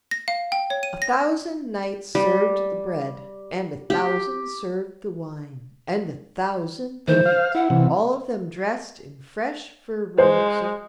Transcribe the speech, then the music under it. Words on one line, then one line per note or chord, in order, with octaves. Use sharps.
A thousand knights served the bread, and a thousand served the wine, and a thousand the meat--all of them dressed in fresh fur robes of ermine.
A#6
F5
G5
C#5
D#7
A#6
G3
G4
D#3 E3 C5
F5
E4 F#5
C3 E3
G#3 C5